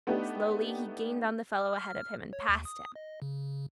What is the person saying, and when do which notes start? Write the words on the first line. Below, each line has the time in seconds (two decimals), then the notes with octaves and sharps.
Slowly he gained on the fellow ahead of him, and passed him.
0.07 A3 B3 D4 D#4 G4 B4
1.60 F6
2.33 C#5
2.49 D#2
2.65 D#6
2.96 D#5
3.22 C#3